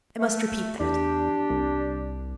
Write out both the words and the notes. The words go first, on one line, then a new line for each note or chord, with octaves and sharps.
"I must repeat that."
A3
E2 D4 G4
C2